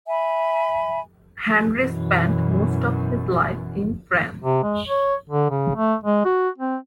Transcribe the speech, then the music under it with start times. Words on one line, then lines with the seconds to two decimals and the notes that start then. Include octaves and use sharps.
Henri spent most of his life in France.
0.07 E5 G#5 B5
1.74 F#2 B2 E3
4.42 C3
4.63 G#3
4.87 C#5
5.29 D3
5.51 C#3
5.75 A3
6.04 G#3
6.25 F#4
6.58 C4